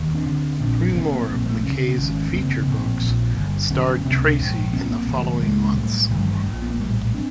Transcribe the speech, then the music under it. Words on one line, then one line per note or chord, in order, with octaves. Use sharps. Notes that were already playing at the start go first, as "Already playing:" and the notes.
Three more of McKay's Feature Books starred Tracy in the following months.
Already playing: E1 D#2
C4 D4
D2 D3
A#1 A#2 C4 D4
F#1 E2 B2 B3 C#4
A#3 C4
A#1 G#2 A#3 C4
A3 B3
D2 C#3 C#4
C4
B3 C#4
G#1 G#2
F1 D#2 C#3 A#3 C4
A#1 A2
A#1 A#2
G1 G2 D3
G1 F#2 D3 B3 C#4
C#2 C3 B3 C#4
C4 D4
A#1 G#2
B1 B2 B3 C#4
A#3 C4
G#1 F#2 C#3 A3 B3
C#2 C#3 G#3 A#3
B1 A2 G3 A3
G#1 G2 D3 F#3 G#3
G3 A3
A#1 A#2
B3
A#3
A#1 A2 G3 A3
C4 D4